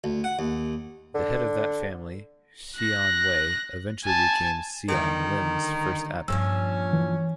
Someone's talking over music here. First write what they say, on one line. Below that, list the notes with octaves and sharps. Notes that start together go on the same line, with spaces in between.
The head of that family, Xian Hui, eventually became Siong Lim's first abbot.
D2
F#5
D#2
D3
F#6 A#6
G#5 A5
D3 D#3 G3 G5
G2 A#2 F3 C#4 E6
E3